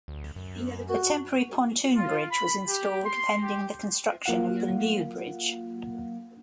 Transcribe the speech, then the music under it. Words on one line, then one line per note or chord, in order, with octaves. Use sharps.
A temporary pontoon bridge was installed pending the construction of the new bridge.
D2
F#2
F#4
F4
B5
G4
C6
G4
F#3 A#3 F4 F5 F#5